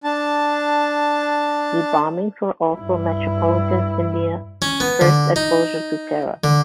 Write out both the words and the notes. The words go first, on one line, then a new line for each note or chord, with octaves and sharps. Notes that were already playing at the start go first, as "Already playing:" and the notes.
The bombings were also metropolitan India's first exposure to terror.
D4 A5
G2 E4
C#4
B3
D3
D#4
D3